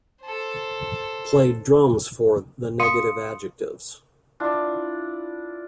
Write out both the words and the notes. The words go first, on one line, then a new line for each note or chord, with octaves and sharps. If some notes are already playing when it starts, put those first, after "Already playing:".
Played drums for "The Negative Adjectives".
A4 C5
F5 C6 D#6 C#7 D#7
D4 E4 F4